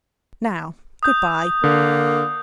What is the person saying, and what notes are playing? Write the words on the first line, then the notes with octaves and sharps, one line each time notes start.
Now good-bye.
D#6 G6
D3 A#3